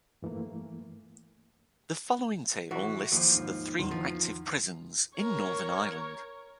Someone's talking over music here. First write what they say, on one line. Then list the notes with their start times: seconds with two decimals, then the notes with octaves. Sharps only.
The following table lists the three active prisons in Northern Ireland.
0.22 G2 E3 A3 A#3
2.71 E3 F#4
3.12 D#2 F3
3.34 G#2 D#3
3.79 E2 D#4 C6
3.91 F3
5.18 A#4 C#5